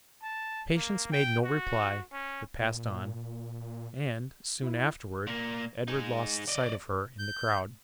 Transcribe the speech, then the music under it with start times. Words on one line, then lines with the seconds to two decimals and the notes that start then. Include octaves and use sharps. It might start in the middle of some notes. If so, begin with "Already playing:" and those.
Patience made no reply, but passed on; and, soon afterward, Edward lost sight of her in the crowd.
0.23 A5
0.76 A#3
1.12 G5
1.44 F#4
2.12 C#4
2.61 A#2
4.62 E4
5.27 A#2 A#3
5.88 D#4 G#4
6.48 D5 D#5
7.19 G6